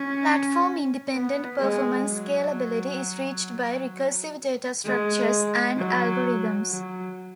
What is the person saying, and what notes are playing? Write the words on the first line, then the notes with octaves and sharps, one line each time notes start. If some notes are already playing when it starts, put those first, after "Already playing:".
Platform-independent performance scalability is reached by recursive data structures and algorithms.
Already playing: C#4
B3
G#3
F#3
G#3
F#3
F#3